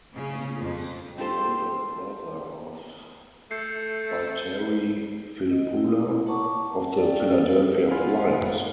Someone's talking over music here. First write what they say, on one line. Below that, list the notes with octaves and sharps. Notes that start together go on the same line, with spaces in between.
He is the older brother of Valtteri Filppula of the Philadelphia Flyers.
C#3
F2
C4 F4 G4 A4 C5
A3 G6 C7 C#7
D#5
E4
C#5 F#5 A5 A#5 C#6 D6
A5
F#4 A4 D5 F5 G5
A4 C5 C#5 F5
A#3 F4 F#5 G#5 B5 F6